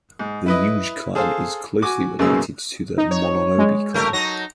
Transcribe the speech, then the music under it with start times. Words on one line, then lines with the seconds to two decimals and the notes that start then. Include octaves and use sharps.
The Yuge clan is closely related to the Mononobe clan.
0.19 G#2
0.46 E4 B4 D#5
1.15 G#4 A4 C5 F5
1.82 F#4 G#5 D6
2.19 B1 F#2 C#3 G#3 A#3 E6
2.98 D#4
3.11 C#5
3.58 G#3
3.94 A3 G4 A#4
4.13 F#3 D#4 A#6